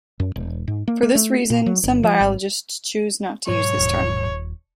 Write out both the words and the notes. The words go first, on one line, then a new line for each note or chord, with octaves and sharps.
For this reason, some biologists choose not to use this term.
F#2
E1
G#2
A#3
A#3
A3
A#2
F#3
G1
F3
G#1
G#2 B2 F#3 C#5
D#1